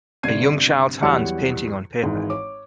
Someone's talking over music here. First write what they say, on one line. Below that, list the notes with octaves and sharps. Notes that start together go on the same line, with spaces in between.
A young child 's hands painting on paper.
G1 C3 D5 G#6 C7 D#7
E2 F#3 G3 C#5 F#5 C#7
G#1 G#2 E3
C#5 D6